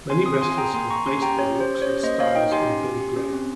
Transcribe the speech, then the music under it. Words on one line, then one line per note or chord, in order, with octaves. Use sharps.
Many wrestlers have based their looks and styles on Billy Graham.
C4 G#5 C6
C4 C6 D#6
F4 G#5 C6
G#5
G#4 G5 A#5
A#3 G#5 C6
A#3 A#5 C#6
C#4 G#5 C6
G4 G5 A#5
C#4 C#5
G4
C5
G4
C#4 C#5
A#3 C5 D#5
A#3 C#5 F5
D#4 D#5 G5
G4 G#5 C6
C#4
G4
G4
C#4
C4